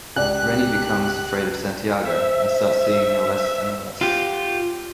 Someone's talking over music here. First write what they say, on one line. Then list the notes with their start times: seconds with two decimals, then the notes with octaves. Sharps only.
Reny becomes afraid of Santiago and starts seeing him less and less.
0.16 C#2 G4 D5 G#5 F#6
2.05 C5 E5
4.01 F4 G4